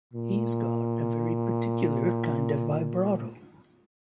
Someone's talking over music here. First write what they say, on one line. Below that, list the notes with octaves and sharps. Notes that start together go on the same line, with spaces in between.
He's got a very particular kind of vibrato.
A#2